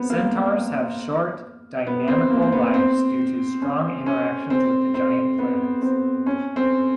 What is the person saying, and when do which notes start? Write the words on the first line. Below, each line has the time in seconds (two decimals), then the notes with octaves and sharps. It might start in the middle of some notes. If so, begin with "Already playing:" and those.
Centaurs have short dynamical lives due to strong interactions with the giant planets.
Already playing: B3 C4
0.10 A#3
1.87 B3
2.08 C4
2.30 A#3
2.42 C4
2.52 B3
2.74 C4
3.62 C#4
4.06 C#4
4.50 C4
4.94 C4
5.39 B3
5.82 C4
6.26 C#4
6.56 C4